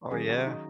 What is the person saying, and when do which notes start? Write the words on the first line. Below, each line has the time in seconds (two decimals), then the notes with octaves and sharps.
Oh, yeah?
0.11 D#3 F#3 C#4 G#4
0.29 F#4
0.47 D#4